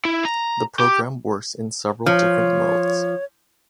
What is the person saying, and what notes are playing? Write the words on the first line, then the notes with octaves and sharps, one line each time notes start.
The program works in several different modes.
E4
A#5
G4
F3 C#5